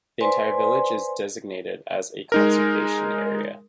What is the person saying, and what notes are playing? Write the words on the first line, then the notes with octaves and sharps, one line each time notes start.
The entire village is designated as a conservation area.
B4 C5 D5 G#5 C6
G#3 D#4 A#4